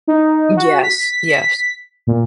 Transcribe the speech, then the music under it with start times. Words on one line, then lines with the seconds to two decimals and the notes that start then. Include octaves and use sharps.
Yes, yes.
0.08 D#4
0.57 F#4
0.83 B6
2.07 A#2